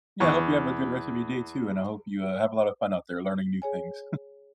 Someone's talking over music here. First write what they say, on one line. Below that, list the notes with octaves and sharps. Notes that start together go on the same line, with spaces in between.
Yeah, I hope you have a good rest of your day too, and I hope you, uh, have a lot of fun out there learning new things.
E2 C#6
G#4 C#5 G#5